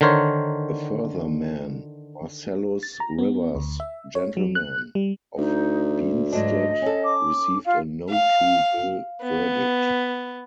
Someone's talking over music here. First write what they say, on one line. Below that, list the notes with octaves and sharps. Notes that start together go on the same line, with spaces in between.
A further man, Marcellus Rivers, gentleman, of Benstead, received a "no true bill" verdict.
D3 D#3 A#4 C5 C#5
A6
A#5
B3
D2
E5
C#5
F#3
F#6
G3
D2 D#4
G#2 F#3 D4 D#5
C#4 A4
D6
F4 F5
F5
B3